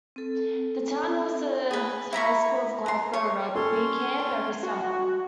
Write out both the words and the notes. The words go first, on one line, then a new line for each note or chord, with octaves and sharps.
The town hosts the High School of Glasgow rugby camp every summer.
C4 A4
G#4 B4
E4 A#5 B5 C#6
A#5 C6
C#5
C#4 A4 C#5 C6
F#4